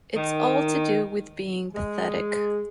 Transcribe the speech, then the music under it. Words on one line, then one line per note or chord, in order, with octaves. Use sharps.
It's all to do with being pathetic.
D#3
G#3